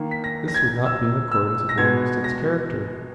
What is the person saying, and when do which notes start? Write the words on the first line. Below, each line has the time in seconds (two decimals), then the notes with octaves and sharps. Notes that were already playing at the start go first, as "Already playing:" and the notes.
This would not be in accordance with Livingstone's character.
Already playing: D#3 A#3
0.11 B6
0.24 A#6
0.48 A#6
0.54 G#6
0.86 E6
1.32 E6
1.69 A#6
1.78 B2 G#3 B3 G#6
2.24 A#6